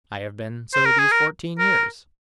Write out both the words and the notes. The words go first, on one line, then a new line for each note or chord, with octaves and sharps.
"I have been so these fourteen years."
C5
A#4
G#4
A#4
A#4